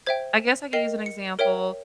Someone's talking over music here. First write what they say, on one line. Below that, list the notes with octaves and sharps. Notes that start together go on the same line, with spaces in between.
I guess I could use an example.
C5 E5 G5 G#6
A#4 D#5 G5 C7
C#7
A#4 C#5 E5 G5 D7